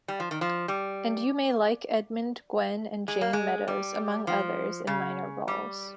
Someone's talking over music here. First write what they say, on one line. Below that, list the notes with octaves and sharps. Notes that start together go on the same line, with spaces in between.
And you may like Edmund Gwenn and Jayne Meadows, among others, in minor roles.
G3
F3
D#3
F3
G3
G#3
A#3
G#3
G3
F3
C#3
G3